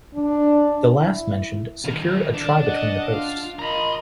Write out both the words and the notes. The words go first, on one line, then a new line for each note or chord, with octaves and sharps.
The last-mentioned secured a try between the posts.
D4
E4
D#3 F4
D4
D#5 F#5
F4 F5
A#4 D#5 A#5 B5